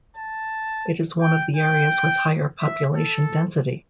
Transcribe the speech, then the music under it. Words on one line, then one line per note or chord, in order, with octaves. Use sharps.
It is one of the areas with higher population density.
A5
G5
G5
E5
A4